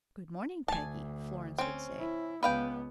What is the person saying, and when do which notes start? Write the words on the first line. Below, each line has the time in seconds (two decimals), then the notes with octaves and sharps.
"Good morning, Peggy!" Florence would say.
0.68 D2 G#5 A5
1.58 C4 C#4
1.99 E4
2.43 C#2 B3 B4 F5 G5